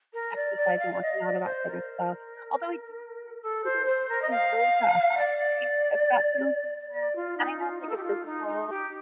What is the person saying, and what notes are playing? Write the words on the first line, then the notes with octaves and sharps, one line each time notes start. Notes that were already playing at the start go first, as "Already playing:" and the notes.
exercise or working out or that sort of stuff although I do kind of consider consider yoga a hobby, but that feels more and I know it's, like, a physical
A#4
D5
D5
F5
D5
D#5
D5
C5
A#4
A4
C5
C5
A#4
D#5
F5
D5
D5
F4
D#4
F4
D#4
A4
G4
F4
D#4
D#4
G4